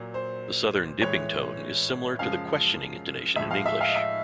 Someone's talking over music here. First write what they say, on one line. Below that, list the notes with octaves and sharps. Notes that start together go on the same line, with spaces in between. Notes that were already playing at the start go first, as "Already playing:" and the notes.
The Southern "dipping" tone is similar to the questioning intonation in English.
Already playing: A#2 F#3
C5
A2 E3 G#3 C#5
F#2 C#3 F3 G#3 F5
A2 F3 G#3 E5
F5
E5
F5
D#5
E5